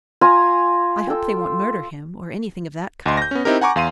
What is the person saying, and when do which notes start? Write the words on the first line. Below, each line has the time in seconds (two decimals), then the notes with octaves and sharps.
I hope they won't murder him, or anything of that kind.
0.21 F4 G#5 A#5
1.07 A4 G5
3.06 D2 D#5 C6
3.17 G6 A#6
3.31 B3 C#4
3.45 C4 D#4 E4 G4 A#4
3.61 F#5 G#5 A#5 C#6 D6
3.76 E2 F5 C6 D#7